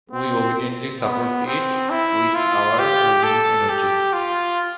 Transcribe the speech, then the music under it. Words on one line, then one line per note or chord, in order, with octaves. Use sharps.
We obediently support it with our reading energies.
C4
B3
C4
E4
F4
G4
A4
G4
F4